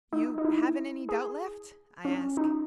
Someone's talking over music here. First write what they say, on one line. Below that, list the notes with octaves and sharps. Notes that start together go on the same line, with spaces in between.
"You haven't any doubt left?" I ask.
D#4
D#4
E4
G#4
C#4
D#4